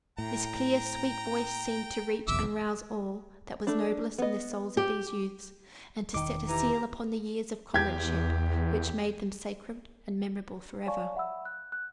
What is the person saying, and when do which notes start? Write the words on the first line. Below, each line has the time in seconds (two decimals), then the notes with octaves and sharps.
This clear, sweet voice seemed to reach and rouse all that was noblest in the souls of these youths, and to set a seal upon the years of comradeship which made them sacred and memorable for ever.
0.18 A2 G5 A#5
2.28 F1 B1 E2 E5 D6 E6
3.67 A3 D4
4.18 B3 D#5
4.77 G4
6.14 E1 D#3 D#4 D6
6.48 E3 G4 A#5
7.74 E2 G4 G#6
10.86 C#5 D5 F5 G#5 A5 C#6
11.15 E5 F#5 B5 E6
11.45 F#6
11.72 F#6